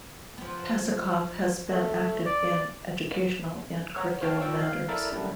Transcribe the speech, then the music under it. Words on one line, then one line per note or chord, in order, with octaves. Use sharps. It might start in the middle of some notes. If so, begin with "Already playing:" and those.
Pasachoff has been active in educational and curriculum matters.
F3 B3
A3
D5
C#5 F#5 A#5
C5 C#5 F5 G5 A5 F6
D#3 F3 D5 G5 C#6 E6
F5
E4 A4 A#4 D5 E5 D6
F#2 A2 D3 G3 D4 E4